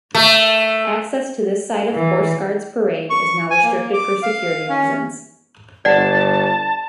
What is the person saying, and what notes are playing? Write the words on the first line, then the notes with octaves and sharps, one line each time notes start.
Access to this side of Horse Guards Parade is now restricted for security reasons.
A3
E3
C#6
G#5
A#3
D6
F5
C#4
G1 D5 F#5 A5